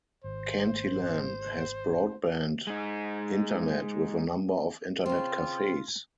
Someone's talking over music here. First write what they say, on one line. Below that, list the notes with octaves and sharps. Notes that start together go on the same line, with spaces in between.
Cantilan has broadband internet with a number of internet cafes.
G#1 C5
G#3 D#4
C#3 C4 F4